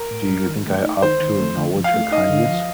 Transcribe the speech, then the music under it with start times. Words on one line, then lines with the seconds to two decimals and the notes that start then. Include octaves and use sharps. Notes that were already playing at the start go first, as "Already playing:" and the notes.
Do you think I ought to acknowledge her kindness?
Already playing: A#4
0.11 A2
0.29 G3
0.48 D#3
0.66 A3
0.84 D#4
1.02 D#3 C5
1.21 D#3
1.39 A3
1.56 D3
1.75 F3
1.84 F5
1.94 A3
2.12 D#4 D#5
2.30 D3
2.48 F3